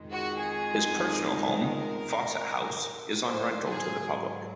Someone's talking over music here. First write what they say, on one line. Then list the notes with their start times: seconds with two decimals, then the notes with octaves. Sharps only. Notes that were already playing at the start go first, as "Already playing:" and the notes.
His personal home, Fawcett House, is on rental to the public.
Already playing: F2 D#3 G#3
0.13 F#4
0.41 G#4
1.55 A#4
3.25 G#2 F#3 C5
3.68 G#4